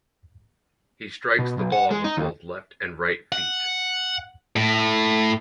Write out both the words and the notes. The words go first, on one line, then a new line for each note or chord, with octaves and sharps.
He strikes the ball with both left and right feet.
B2
B1
F#5
G#3
D#4
D#2
F#5
A2